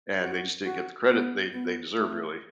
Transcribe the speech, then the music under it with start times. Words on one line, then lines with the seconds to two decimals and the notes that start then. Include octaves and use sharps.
and they just didn't get the credit they they deserved, really.
0.21 F#4
0.65 F#4
1.10 B3
1.53 B3
1.97 A3